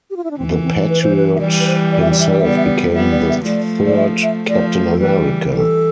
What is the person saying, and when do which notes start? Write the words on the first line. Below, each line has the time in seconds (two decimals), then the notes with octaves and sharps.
The Patriot himself became the third Captain America.
0.10 G4
0.16 F4
0.24 E4
0.31 D4
0.38 E3 C4
0.51 B3
0.64 C4
0.89 B4
1.02 C5
1.16 B4
1.35 E5
1.40 E3 G3 D5
1.60 B4
1.67 C5
1.91 D5
2.01 E5
2.11 D5
2.20 E5
2.29 D5
2.39 E5
2.44 G3 B3 D5
2.57 E5
2.65 D5
2.94 G3 B3 E5
3.12 D5
3.29 E5
3.46 F3 A3 D5
3.86 D5
3.97 E5
4.23 E5
4.48 F3 A3 D5
4.90 A4
5.00 E3 G3 B4
5.51 E3 A4